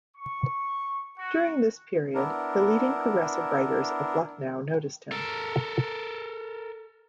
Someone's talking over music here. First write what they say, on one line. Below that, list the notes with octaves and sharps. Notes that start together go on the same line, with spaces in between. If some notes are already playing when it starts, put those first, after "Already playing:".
During this period, the leading progressive writers of Lucknow noticed him.
C#6
F#4
B3 D4 E4 A#4
A4 A#4